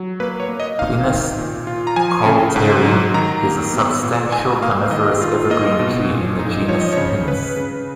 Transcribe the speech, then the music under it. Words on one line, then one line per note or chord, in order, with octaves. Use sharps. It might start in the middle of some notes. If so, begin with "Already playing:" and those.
"Pinus coulteri" is a substantial coniferous evergreen tree in the genus "Pinus".
Already playing: F#3
A#3 B4
C#5
A#3
D#5
D#4 F5
D#3
A#2
F4
A#5
F3 G#5
C#3
G#2
F#3
D#3 A#5
A#3
B3
A#2
G#2 G#5
A#3 F5
F5
D#3 D#5
F4
A#3 D#5
B2
A#2
D#4
F3 C#5
D#5
C#3 C#5
C#3 B4
C#3